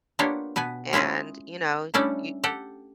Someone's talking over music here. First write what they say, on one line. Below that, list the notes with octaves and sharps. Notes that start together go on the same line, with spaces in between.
and, you know, y
A#3 B3 D4 F4 G4 C#5
B2 B3 B4 G#5
G#3 C#4 E4 F4 G#4
G3 A3 C#4 D4 E4
G4 A4 F#5